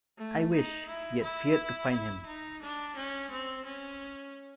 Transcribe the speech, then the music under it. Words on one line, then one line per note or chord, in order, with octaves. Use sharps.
I wished, yet feared, to find him.
A3
D#4
E4
E4
E4
D#4
D4
C#4
C4
C#4